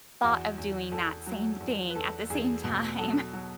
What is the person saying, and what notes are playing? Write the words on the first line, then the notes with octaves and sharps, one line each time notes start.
thought of doing that same thing at the same time.
E2 F#4
E2
E2 A4
F#3
E2
B4
E2 A4
E2 G#4
B2
F#3 A4
F#3